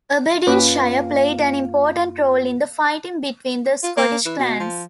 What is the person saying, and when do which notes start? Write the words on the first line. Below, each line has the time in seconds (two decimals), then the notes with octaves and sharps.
Aberdeenshire played an important role in the fighting between the Scottish clans.
0.47 F#2 A#3 C#4 F4 B4
3.83 F4
3.97 A#3
4.26 E3
4.39 B2
4.60 F3